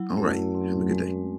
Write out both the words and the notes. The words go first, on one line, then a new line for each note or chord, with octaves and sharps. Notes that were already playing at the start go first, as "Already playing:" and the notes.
Alright. Have a good day.
Already playing: F#3 E4
F#2 A3
C4
G#3